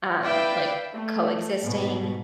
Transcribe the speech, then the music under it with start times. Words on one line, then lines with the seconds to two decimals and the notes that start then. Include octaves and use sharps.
um, like, coexisting.
0.23 E4 B4 D5 E5 F5 G5
0.94 A3
1.62 G#2 B2